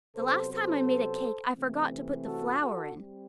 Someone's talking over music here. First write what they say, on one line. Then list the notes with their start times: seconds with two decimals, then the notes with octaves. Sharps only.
The last time I made a cake I forgot to put the flour in.
0.16 C3 F#3 B3 A4 C5
0.51 A4 C5
1.55 C3 E3 A3 C4
2.24 F#4 A4
2.59 F#4 A4
2.95 G3 C4